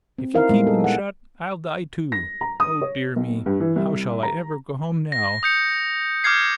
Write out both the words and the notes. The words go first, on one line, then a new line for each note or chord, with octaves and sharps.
If you keep them shut, I'll die, too. Oh, dear me, how shall I ever go home now?
C4
D#4 E4 A#4 C5 F5
A#2 G3 G#3 B3
B3 A4
F#5
A#6
A#5
D#6
C#5
B1
G2
E3
C2
A#5
A#6
D#6 G6 C#7
D6 F6 G6 G#6 C7